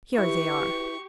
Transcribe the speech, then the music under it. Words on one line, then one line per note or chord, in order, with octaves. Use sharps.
Here they are...
E4 G4 B4 C#6